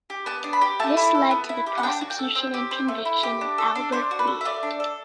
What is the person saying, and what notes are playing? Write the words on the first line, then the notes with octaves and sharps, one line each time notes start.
This led to the prosecution and conviction of Albert B.
G4
B3 A5
D4
B5
G4
A3 A5
E4
A4
B3
E4
G4
F#5
D4 G5
F#4
G5
A4
C4
G4
C4
A3
E4
G4
D4
A4
D4
D4 C5
F#4
B4
A4
E5
A3 D5
D4
A4